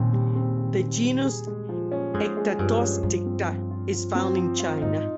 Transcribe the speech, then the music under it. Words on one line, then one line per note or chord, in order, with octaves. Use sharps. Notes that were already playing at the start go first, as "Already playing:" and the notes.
The genus "Ectatosticta" is found in China.
Already playing: D#2 A#2 C#3 C4
G3
C4
C#3
D#2
G3
G#4
G#3
F3
C#4
G#2 G#4
G#3
G2 F3
C#4
G2 F3
C4
F3
F4
F3
C4
F3
F4
G#2 D#4